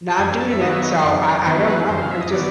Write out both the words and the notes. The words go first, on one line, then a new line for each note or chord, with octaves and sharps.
not doing it, so, I I don't know, I just
G5
F#2 G#5
A5
E5
D#3 F#3 B3 D#5
E5
D#5
F#2 D5
C#5
D#3 F#3 B3 C5
B4
F#2 C5
F5
E5
D#5
D#3 F#3 B3 D5